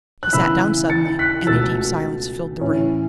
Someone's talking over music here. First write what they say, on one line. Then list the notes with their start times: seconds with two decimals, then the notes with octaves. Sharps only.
He sat down suddenly, and a deep silence filled the room.
0.23 F#6
0.33 C#3 E3 B3 E4 B5 E6
0.90 A6 C#7
1.19 F#6 B6
1.47 C#2 B2 A3 E6 A6
2.61 A2 E3 C#4 E4